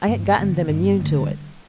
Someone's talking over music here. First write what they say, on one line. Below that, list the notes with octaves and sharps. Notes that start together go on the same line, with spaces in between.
I had gotten them immune to it.
G2 B3
B3
D3 B3
B3
G2 D4
B3
D3 A3
G3